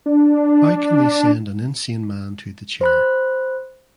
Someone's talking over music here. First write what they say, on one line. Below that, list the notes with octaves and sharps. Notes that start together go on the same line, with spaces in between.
How can they send an insane man to the chair?
D4
C5 B5 F#6